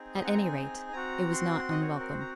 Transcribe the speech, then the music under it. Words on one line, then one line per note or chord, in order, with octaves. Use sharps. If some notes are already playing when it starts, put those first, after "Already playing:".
At any rate, it was not unwelcome.
Already playing: C4 D#4 G#4
D#5
F#5
A#5
G#5
C4 F#4 A#5
C6
D#5
C#5
A#4
C5
A#5